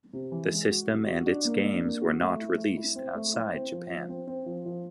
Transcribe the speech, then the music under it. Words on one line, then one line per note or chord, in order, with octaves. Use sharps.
The system and its games were not released outside Japan.
C3
E3
G#3
F#4
G3
F#4
D4
A#3
D4
A#3
F#4
A3
E4
A3
E4
C4
A3
E4
C4
F3
F3
C4
C4
F3
F3